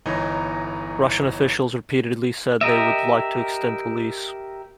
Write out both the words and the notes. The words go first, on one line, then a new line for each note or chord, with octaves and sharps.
Russian officials repeatedly said they would like to extend the lease.
G1 E3 D#4 C#5 D#5
G4 A#4 D#5 E5